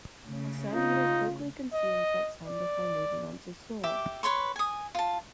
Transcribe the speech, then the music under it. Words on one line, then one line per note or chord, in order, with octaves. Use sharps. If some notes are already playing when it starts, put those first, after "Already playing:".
The Sun-Eater quickly consumes that sun before moving on to Sol.
C#3 A3
D#4 F4
D#5
D5
G4 E5 D6
B4 C#5 C6 C#6
G#5 D#6
F4 A5